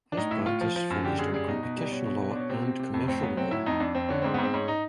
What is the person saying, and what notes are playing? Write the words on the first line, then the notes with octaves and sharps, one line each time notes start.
His practice focused on competition law and commercial law.
D4
A2 D#4
A2 E4
A2 F4
F3
F3
F#2
D3 G4
F#2 G#4
G3 G#4
B2 D#4
B2
G3
B2 C#4
B2
B2
D4
B2 C#4
C3 C4
C3
C3
F2
A2 C4
F#3 B3
F#3 C4
A2 E4
F2 D#4
F2 D4
F2 C4
D3 C#4
G#2 C4
G#2 B3
C4
G#2 C#4
D#4